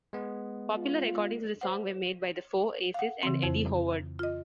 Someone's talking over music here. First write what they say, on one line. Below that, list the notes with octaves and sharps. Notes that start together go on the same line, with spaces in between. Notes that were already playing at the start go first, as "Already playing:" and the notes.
Popular recordings of the song were made by The Four Aces and Eddy Howard.
G#3 B3
F4
C5 F#5
F5 F#5
C#3 E3 C4
F2 E4 C5
F4 D#5